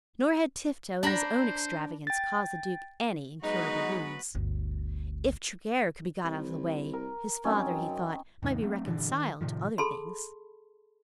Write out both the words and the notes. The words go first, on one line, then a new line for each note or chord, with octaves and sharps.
Nor had Tifto and his own extravagance caused the Duke any incurable wounds. If Tregear could be got out of the way, his father, he thought, might be reconciled to other things.
D4 C5 D5 A#5 B5 A#6
G5 A6
F#3 G#3 B3 D#4 F#4 B4 D#5
G1 D2
C2
A#4
F#2 C4 C#4 D#4
D#2 G#2 C3 D#3
F#3 A3 C4
G2 A#2 D3 E3
D#3
A2 C3 D#3 F3
G#4 A4 A5 B5 C6